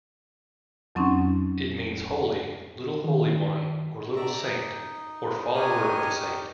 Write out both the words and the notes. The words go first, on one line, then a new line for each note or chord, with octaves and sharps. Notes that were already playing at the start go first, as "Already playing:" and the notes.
It means "holy", "little holy one" or "little saint", or "follower of the saint".
F2 F#3 C4 C#4 D#4
D#3
D5 E5 A#5
D#4
D4 G4 A#4 C#5 D#5 G#5
D#4 G4